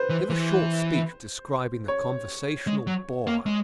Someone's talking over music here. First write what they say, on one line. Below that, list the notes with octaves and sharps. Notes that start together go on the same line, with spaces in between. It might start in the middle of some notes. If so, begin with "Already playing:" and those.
Give a short speech describing the conversational bore.
Already playing: B4 C5
E3
E3
C#5
G#3
F#3
A#3
G#3